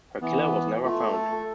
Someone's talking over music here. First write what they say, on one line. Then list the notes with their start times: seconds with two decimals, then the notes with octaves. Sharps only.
Her killer was never found.
0.22 E3 B3
0.83 A3 F4
1.13 A4